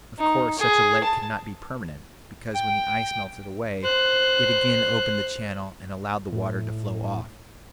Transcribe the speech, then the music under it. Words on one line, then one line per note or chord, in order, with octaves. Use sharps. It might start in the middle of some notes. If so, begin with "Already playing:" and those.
Of course such a lake could not be permanent, because, when the ice melted away, it again opened the channel and allowed the water to flow off.
D#4
G#4
A5
G5
C5 F#6
A2